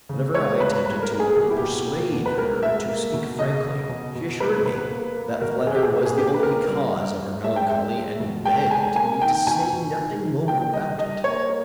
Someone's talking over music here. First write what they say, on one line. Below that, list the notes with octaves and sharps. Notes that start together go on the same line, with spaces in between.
Whenever I attempted to persuade her to speak frankly, she assured me that the letter was the only cause of her melancholy and begged me to say nothing more about it.
C#3
G#3 C#5
G#3 B4
G3 B4
A#4
A#3
G#4
B2 G#4
G4
E4
B2 G4
A#3
B2
B4
G#3 A#4
G#3 E5
A#3
B2
C#3 D#5
C#3
B2
B2
A#3 B4
B2 B4
A#3
A#3
B2 A#4
B2 G#4
G4
G#4
A#3
G#4
A#2 G4
B4
A#3 A#4
G3
G3
G3
G#3 E5
G5
G#3 E5
G#3
B2
G#3 G5
G#3 G#5
A#3 G#5
D#3 G5
B2 G#5
B2
D#3
D#3
A#2 G5
G3 D#5
G3 D#5
A#3 C#5
A#3